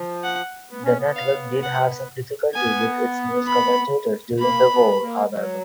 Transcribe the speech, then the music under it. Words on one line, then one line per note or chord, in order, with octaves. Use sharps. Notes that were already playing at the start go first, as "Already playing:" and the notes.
The network did have some difficulty with its news commentators during the war, however.
Already playing: F3
F#5
B3
C#4
B3
F5
F#5
B3 G#5
B5
A#3 B5
B3
A#3
F#3